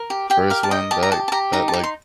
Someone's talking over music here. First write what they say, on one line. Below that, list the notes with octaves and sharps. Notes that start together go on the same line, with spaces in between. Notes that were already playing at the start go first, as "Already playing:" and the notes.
First one that that, like,
Already playing: A#4
G4
G4 G5
A#4 F5
A5
D#5 G5
G4 A5
A#5
G4 A5
A5
G4 A#5
D#4 A#5
A5
D#4
C6